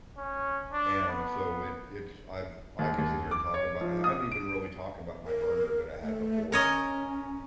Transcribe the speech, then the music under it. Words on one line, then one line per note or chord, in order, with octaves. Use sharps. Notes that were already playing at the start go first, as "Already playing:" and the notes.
and so, it it's I I could sit here and talk about and I didn't even really talk about my burner that I had before,
C#4
D4
B3
D#2
D#2
D6
C#5
F3
D#6
D7
A#4
A3
C#4 A#4 C#5 D#5